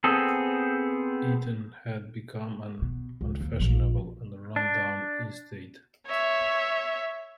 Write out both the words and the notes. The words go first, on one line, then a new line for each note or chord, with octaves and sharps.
Eaton had become "an unfashionable and run-down estate".
B3 C4 G#4 A4
B2
C#2
D#2
A#1 F3
D4
C#5 E5